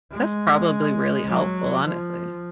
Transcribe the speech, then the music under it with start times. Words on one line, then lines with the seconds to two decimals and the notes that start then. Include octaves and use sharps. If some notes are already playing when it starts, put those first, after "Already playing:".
That's probably really helpful, honestly.
0.11 G#3
1.28 F#3
1.87 F3